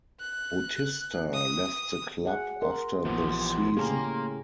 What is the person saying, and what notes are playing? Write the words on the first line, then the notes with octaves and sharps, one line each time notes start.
Bautista left the club after the season.
F#6
D#6
G#4 F#5
A#4 C6
A#1 E3 F3 B3 G4
A2 C#3 A#3 G4 G#4 A5 A#5